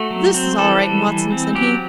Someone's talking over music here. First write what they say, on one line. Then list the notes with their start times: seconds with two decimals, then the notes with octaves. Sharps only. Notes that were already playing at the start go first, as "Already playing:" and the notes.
"This is all right, Watson," said he.
Already playing: A3 F#4
0.11 F#3
0.34 C4
0.58 E3 A4
0.82 G3
1.07 E3
1.32 C4
1.55 F#3 G4